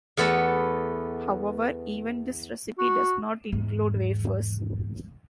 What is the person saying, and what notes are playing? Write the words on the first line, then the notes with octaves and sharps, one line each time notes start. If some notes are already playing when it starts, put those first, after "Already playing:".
However, even this recipe does not include wafers.
E2 A3 B3 B4 A5
F#4
E2 G#2